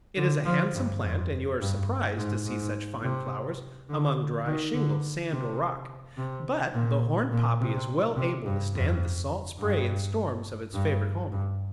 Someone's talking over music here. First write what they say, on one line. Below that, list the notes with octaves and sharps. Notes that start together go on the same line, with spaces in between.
It is a handsome plant, and you are surprised to see such fine flowers among dry shingle, sand, or rock; but the Horned Poppy is well able to stand the salt spray and storms of its favourite home.
D3
F3
G2
F2
G2
G#2
G#2
C3
D3
D#3
D3
C3
C3
A#2
A#2
C3
C3
G2
F2
G2
G2
G2